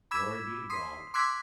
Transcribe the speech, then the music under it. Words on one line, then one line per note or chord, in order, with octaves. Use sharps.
Glory be to God.
B5 D6 E6 G#6 B6 E7
C6 D#6 B6 C7
C6 D6 E6 F#6 G#6 B6